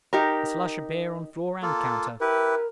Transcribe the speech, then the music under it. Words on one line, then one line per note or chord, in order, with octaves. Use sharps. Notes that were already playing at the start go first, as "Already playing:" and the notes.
A slush of beer on floor and counter.
D#4 G4 A#4
A#3 F4 A4
E4 G4 A#4 B4